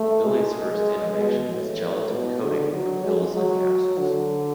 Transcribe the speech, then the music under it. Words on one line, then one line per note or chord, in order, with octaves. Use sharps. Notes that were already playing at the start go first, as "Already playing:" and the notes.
Lilly's first innovation was gelatin-coating for pills and capsules.
Already playing: A3
G#3
B2
A2
B2
D3
F#3
G#3
F#3
D3